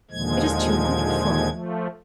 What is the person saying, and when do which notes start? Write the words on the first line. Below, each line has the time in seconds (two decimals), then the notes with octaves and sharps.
It is too wonderful.
0.11 D#2 A#2 D3 F3 G#3 G#6
1.50 F3 A3